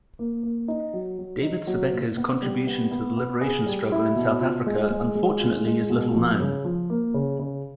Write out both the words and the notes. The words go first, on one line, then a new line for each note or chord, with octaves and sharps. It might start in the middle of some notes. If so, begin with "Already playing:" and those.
David Sibeko's contribution to the liberation struggle in South Africa unfortunately is little known.
A#3
A#3
D#4
F#3
F#3
D#4
F#3
A#2
B3
G3
B3
B3
B3
G#4
G3
E4
B2
F4
G#3
G#3
G#3
F4
G#3
B2
F3
C#3
F3
A#3
C#3
C#3